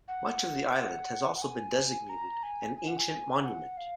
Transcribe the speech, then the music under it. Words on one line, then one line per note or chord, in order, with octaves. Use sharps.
Much of the island has also been designated an ancient monument.
F#5
F#5
F#5
G#5
A#5
G#5
G#5
F#5
G#5
F#5
F5